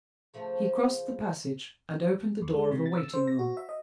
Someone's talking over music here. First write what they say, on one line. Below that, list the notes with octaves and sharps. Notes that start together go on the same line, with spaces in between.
He crossed the passage, and opened the door of a waiting-room.
C#3 F3 A3
D#2
G#3
C3
A6
E6
C5
A#6
F#4
E5
D#5